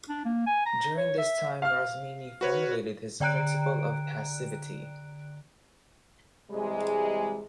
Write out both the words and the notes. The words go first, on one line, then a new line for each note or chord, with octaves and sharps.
During this time Rosmini formulated his "Principle of Passivity".
D4
A#3
G#5
A#5
C#5
E5
F5 F6
F#4 B4 C#5
D3 D5 G5 A#5 F#6 D7
C3 E3 G3 G#3